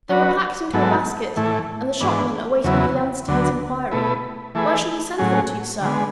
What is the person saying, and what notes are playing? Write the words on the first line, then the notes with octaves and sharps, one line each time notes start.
They were packed into a basket, and the shopman awaited the answer to his inquiry, 'Where shall we send them to, sir?'
F#3 C#4 F#4 B4
G#2 F#3 B3 E4 A4
A2 E3 A3 E4
G#2 E3 B3 D4
E2 C#3 F#3 B3 E4
D2 D3 F#3 B3
B2 A3 E4 B4
E3 A3 E4 G#4 B4
A2 F#3 C#4 G#4
D3 G#3 B3